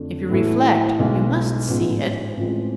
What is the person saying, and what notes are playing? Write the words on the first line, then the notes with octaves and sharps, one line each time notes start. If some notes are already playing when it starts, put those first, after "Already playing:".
If you reflect you must see it.
Already playing: F2 D3 A3 D4
A2 E3 B3 E4 A4
B1 B2 G#3
A1 G#2 F3 G#3 B3
A1 A2 F3 G#3 C4